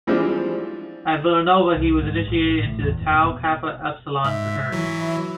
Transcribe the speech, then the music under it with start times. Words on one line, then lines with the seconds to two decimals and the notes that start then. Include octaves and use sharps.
At Villanova he was initiated into the Tau Kappa Epsilon fraternity.
0.07 E3 F3 G3 G#3 C4 D4
1.76 C2
2.02 G#2
2.27 A#1
2.46 A1
2.66 A2
2.81 E2
3.01 F#1
3.13 B2
4.24 G#2 E5
4.72 E3 F#3
5.00 E4